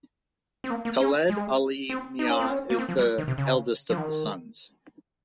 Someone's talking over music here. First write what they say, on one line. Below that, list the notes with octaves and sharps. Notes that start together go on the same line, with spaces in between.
Khaled Ali Miah is the eldest of the sons.
C4
A#3
A#3
C#4
G#3
C4
D#4
C#4
C4
C#4
A#3
C4
F3
G3
D#3
C3
C#3
F3
D#3